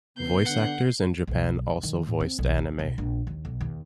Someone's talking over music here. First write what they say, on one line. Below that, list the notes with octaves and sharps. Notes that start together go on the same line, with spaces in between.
Voice actors in Japan also voiced anime.
C#3 B3 G6 C7
D3 F#5
B1
D#3
A2
C4
B1
C#3
B1
A#1
D#2
B1
D#2